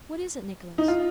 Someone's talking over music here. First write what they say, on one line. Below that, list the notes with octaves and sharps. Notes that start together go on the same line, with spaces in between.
"What is it, Nicholas?"
D#4
F4